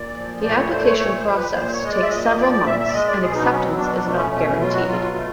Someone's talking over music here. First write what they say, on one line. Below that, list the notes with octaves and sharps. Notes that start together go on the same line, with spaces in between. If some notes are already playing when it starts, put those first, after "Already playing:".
The application process takes several months, and acceptance is not guaranteed.
Already playing: A#2 D5
F3
A#2 D5
C#5
A3 C5
C#5
A#2 C#5
C5
F3
B4
A#2 C5
C#5
G#3 D#5
D5
E5
A#2 D#5
D#5
F3 D5
D5
A#2 E5
E5
D5
G#3 D#5
D5
B2 G#4
D#4
D4
F#3 C#4
B3
C4
B2 D4
D4
A3
C#4
B2 C#4
C#4
F#3 F4
F#4
B2 F4
A3